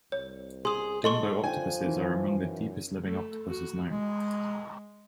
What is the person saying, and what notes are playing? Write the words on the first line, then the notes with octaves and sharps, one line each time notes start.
Dumbo octopuses are among the deepest living octopuses known.
C2 C#5
G#4 C6 D#6
A4 D#5 C6 C#6
F3 D4 G5 G#5
D#3 E3
F#2
A3
F#4
G#3